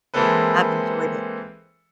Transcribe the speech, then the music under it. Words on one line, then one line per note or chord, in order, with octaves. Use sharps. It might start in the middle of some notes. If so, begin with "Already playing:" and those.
I've enjoyed it.
E3 G#3 A#3 C4 A4 B4